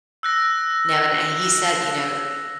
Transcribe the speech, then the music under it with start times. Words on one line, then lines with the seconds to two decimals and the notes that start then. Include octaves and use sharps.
Now, and, uh, and he said, you know
0.23 E6 F#6 A#6